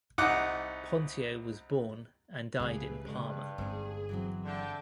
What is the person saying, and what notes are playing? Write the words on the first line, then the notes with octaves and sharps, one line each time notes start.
Pontio was born and died in Parma.
C2 D#4 F#5 D6
C#2 A3 G4 G#4 B4 F5
G2 C#3 G#3
G1 G#3 C4 D#4 G#4
E3 F#3 C4
D3 E5 G5 A5